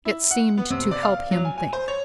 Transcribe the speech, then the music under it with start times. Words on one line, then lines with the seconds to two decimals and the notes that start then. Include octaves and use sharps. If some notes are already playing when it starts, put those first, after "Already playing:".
It seemed to help him think.
0.05 E4
0.31 F#5
0.57 B3
0.70 C3
0.91 D5
1.03 F5
1.31 F#3
1.45 G#5
1.58 G#5
1.73 C5
1.88 C#5